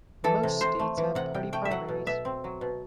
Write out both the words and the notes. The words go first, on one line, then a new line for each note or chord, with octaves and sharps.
Most states have party primaries.
E3 A4
C3
C3 C5
A3
E3
C3 F#5
C3 G5
A3 G5
E5
F#3 F#5
B2
B2 E5
C4
F#3
B2